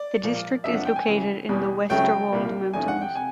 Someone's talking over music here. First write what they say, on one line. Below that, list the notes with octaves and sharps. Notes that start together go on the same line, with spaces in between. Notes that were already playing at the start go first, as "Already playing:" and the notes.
The district is located in the Westerwald mountains.
Already playing: D5
A#2 F3 A#3
E2 C3 F3 A#3 D4 E5
F#5
G5
G#5
C#2 C#3 E3
E2 B2 G3
C#2 C#3 F#3 A3 G5
C2 A#2 G3 A#3
E2 C3 F3 A3 D4 G#5
F#5
G5
C3 G#5